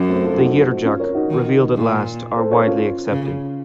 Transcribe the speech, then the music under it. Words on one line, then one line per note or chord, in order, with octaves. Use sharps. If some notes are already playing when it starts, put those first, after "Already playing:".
The Yherjak, revealed at last, are widely accepted.
Already playing: F#2
A3 C4
F4 A4
D#4 F#4
C#4 F4
A#4 C#5
D#4 F#4
D#3
A#2
A4 C5
A#4 C#5
C#4 F4
C#3